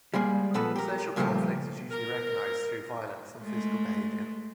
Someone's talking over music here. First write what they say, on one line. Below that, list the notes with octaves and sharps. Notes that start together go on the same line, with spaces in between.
Social conflict is usually recognized through violence and physical behaviour.
G3 G#3 A#3 G#4
F2 A#2 B3 A4 B4
G4 A#4
G2 A#2 C#3 F3 A3 G4
A#4
G#3 A3